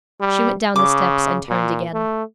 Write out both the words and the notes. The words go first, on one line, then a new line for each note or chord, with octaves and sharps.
She went down the steps and turned again.
G3
C#3 D6
A#2
A3